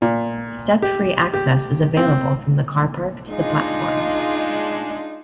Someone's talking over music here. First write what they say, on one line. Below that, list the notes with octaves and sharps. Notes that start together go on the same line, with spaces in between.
Step-free access is available from the car park to the platform.
A#2
G4
G4
C4
G#3 D4 D#4 F4